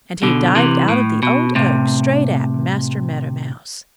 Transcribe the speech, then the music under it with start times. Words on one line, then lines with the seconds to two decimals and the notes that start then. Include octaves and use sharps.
And he dived out of the old oak straight at Master Meadow Mouse.
0.23 B2 D3
0.55 C3 E3
0.89 A2
1.23 B2
1.55 A2 C3